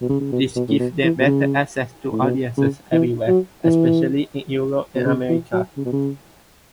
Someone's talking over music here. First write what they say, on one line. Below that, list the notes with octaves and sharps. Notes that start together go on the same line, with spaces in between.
This gave them better access to audiences everywhere especially in Europe and America.
B2
C#3
C#3
B2
B2
A2
B2
E3
B2
C#3
A2
B2
C#3
E3
F#3
E3
B2
C#3
E3
F#3
C#3
B2
C#3